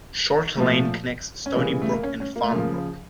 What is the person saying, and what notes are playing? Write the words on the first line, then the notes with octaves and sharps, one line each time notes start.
Short Lane connects Stoneybrook and Farmbrook.
A#2 F3 A3
C#4
C#3 E3 G3 A#3
A3
A#3
C#4
C#4
A#3
A3
C#3 F3 A#3